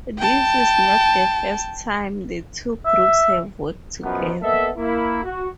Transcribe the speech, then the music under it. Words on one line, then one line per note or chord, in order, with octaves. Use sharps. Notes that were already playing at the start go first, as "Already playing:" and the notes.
This is not the first time the two groups have worked together.
G5 A5
E5
F#2 B2 F3 F#3 B3
A#3 B3 A4 D#5 E5
A#3 E4
F#4